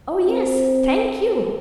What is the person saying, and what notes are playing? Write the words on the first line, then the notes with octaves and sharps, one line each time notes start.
Oh yes--thank you.
C4